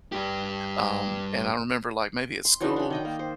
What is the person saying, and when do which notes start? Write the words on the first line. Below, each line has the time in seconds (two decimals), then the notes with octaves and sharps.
Um, and I remember, like, maybe at school,
0.12 G2 G4
2.45 C6
2.61 E3 F#3 D4 D#4
2.76 D4 B5
2.90 D#3 D#5 G5
3.05 A#3
3.19 C5